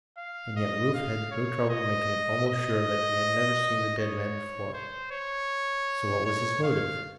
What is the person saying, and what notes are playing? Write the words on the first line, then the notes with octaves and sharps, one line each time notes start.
And yet Rufe had no trouble making it almost sure that he had never seen the dead man before--so what was his motive?
F5
D#5
F5
C#5
D#5
D#5
C#5
C5
C#5
C#5
F5